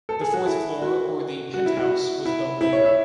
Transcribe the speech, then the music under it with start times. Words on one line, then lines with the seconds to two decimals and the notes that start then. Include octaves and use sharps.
The fourth floor or the penthouse was built later.
0.09 A4
0.21 G#4
0.33 F#4
0.46 E4
0.82 F#4
1.54 F#4
1.66 E4
1.77 F#4
2.25 E4
2.61 E4
2.73 C#5
2.85 E5